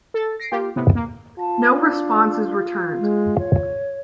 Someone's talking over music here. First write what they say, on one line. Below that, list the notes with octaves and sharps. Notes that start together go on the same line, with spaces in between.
No response is returned.
A4 A6
A#6 C7 D7
A#3 F4 G4
A2 C3 B3
A#3
F4 A5
D4
G#3
C#5